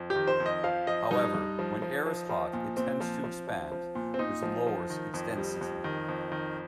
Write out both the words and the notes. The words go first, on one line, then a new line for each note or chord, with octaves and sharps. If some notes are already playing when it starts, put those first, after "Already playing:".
However, when air is hot, it tends to expand, which lowers its density.
Already playing: F2
G4
D#3
C5
F2
D#5
F3 F5
F3 D#5
G2 D#4
G2
F3
F3
F3
F3
A#2
A#2 C4
F3
F3
F3
F3
A#2
C4
A#2 D#4
F3
F3
D#3
F2
G3
F2
D#3
F2
D#3